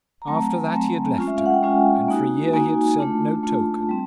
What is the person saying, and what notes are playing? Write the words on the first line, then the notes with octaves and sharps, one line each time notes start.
After that he had left her, and for a year had sent no token.
A#5
F#3 A3 C4 A5
G#5
F#3 A3 C4
G#3 C#4 F4
E5
F5
F#5
G5
G#3 C#4 F4 G#5
A#3 D#4 F#4
A#3 D#4 F#4 G#5
A3 D4 F4 A5
A3 D4 F4
G3 C4